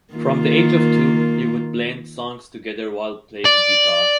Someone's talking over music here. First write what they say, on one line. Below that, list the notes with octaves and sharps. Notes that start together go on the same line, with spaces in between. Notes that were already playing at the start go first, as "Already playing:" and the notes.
From the age of two he would blend songs together while playing the guitar.
D#3 A#3 F4
D5